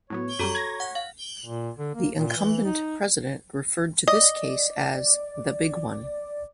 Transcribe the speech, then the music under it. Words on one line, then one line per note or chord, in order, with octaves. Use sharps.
The incumbent president referred to this case as "the big one".
A2 F#3 B3 C#5
F#2 G3 F#4 A4 A#5
G#6 A#6
F#5
F5
A#2
D3
A#3
A#2
E3
D#4
D5 D#5